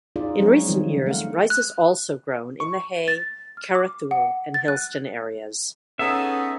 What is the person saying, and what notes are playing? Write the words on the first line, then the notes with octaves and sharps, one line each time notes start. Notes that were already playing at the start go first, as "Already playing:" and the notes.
In recent years, rice is also grown in the Hay, Carrathool and Hillston areas.
D#4 F4 G#4 D5
F#3 G#3 C4 C#4 G#4 C#5
D#3 F3 G3 C4 D#4 F4
A3 F5 F#5
F#6
C#6
A6
F6
D6
F#5
A6
F#6
B3 C#4 D#4 G#4 A4 E5